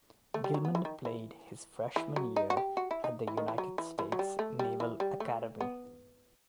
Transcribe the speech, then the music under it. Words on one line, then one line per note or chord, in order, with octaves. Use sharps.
Gilman played his freshman year at the United States Naval Academy.
A3
G3
F#3
B3
E3
D#3
E3
E3
F#3
D#4
F#4
G4
F#4
E4
D#4
E3
D#3
E3
F#3
E3
E3
F#3
G3
A3
G3
E3
G3
A3
B3